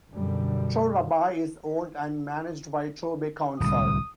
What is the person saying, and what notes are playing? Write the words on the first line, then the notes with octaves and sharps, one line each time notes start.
Torre Abbey is owned and managed by Torbay Council.
F#2 B2 D3 G3
D1 C2 D#6